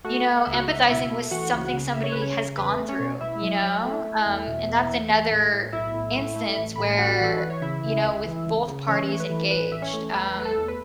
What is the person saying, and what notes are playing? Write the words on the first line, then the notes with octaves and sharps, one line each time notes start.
you know, empathizing with something somebody has gone through, you know, um, and that's another instance where, you know, with both parties engaged, um,
A3 F#4 F#5
A3
F#5
C#2 E5
F#4 F#5
C#2 E5
C#5
B2 E4 E5
A3
E3 F#4 F#5
C#2
C#3
C#2 E5
C#5
C#3 B4
C#4 C#5
C#3
E2 B4
A3
C#4 C#5
B2
B2 E4 E5
F#3
F#3
A3
A3
E2
B2
E2
E2
A3
A2
A2
B1 E4 E5
A2
A3
A3
A1
A2 B5
A5
A1 F#4 F#5
E3 A4
E3 B4
C#5
C#3 E4 E5
C#3
C#2
E3
C#2
C#3
E3 C#4 C#5
A3 C#5
B4
E3
A1 B4
E3 E5
C#4 C#5
A3
E2 B4
A3 B4
A4
E2
B4